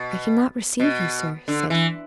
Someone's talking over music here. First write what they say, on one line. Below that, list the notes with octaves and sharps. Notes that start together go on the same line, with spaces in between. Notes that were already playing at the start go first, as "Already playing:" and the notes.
"I cannot receive you, sir," said he.
Already playing: B2
B2
D3
E3